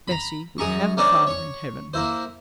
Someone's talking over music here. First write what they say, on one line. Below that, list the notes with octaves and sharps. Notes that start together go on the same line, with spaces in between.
'Bessy--we have a Father in Heaven.'
A#5 B5
F#2 G#4 A#5 C#6
A3 C#4 D4 A#4 C5 D5
C#5 C#6
A#3 E4 C5